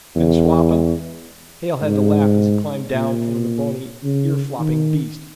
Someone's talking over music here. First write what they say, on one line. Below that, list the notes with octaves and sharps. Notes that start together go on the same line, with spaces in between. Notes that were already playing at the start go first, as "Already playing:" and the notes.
"Been swappin'?" Hale had to laugh as he climbed down from the bony ear-flopping beast.
E2
G#2
A#2
C#3
D#3